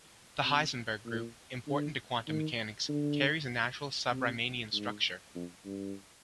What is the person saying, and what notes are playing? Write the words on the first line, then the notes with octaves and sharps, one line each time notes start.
The Heisenberg group, important to quantum mechanics, carries a natural sub-Riemannian structure.
C3
A#2
D3
D#3
D3
C3
G#2
F2
G2